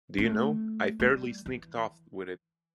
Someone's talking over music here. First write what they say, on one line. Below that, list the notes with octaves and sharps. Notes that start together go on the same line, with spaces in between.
Do you know, I fairly sneaked off with it.
C4
A3
A3
G3
E3